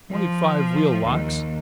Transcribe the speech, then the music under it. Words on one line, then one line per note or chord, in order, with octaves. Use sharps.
Twenty-five wheel locks!
F3
D#2